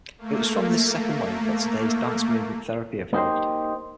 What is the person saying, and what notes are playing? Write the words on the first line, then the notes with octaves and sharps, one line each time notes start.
It was from this second wave that today's Dance Movement Therapy evolved.
A3 A#3
A#3 D#4 G4 C5